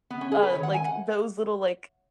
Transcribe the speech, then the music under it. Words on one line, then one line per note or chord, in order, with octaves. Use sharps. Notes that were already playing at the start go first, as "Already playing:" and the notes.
uh, like those little like,
B3
C#4
G#4
B4
G#2 D#3 C#5
F#5
G#5
F#5